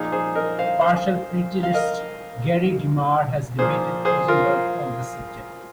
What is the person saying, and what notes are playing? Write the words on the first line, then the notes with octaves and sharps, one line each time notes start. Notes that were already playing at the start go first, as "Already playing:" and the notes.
Partial preterist Gary DeMar has debated Rosenberg on this subject.
Already playing: A#2 F3 D#4 G#4
G#4 C5
A#4 D#5
C5 F5
C5 F5
F5
A#4 D#5
A#2 F3 G#4 C5
G#4 C5
F4 A#4